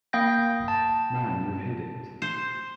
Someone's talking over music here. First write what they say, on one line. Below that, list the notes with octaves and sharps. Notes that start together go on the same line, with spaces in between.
Man, you've hit it!
A#3 F5 G5 G6 A#6
A5
C5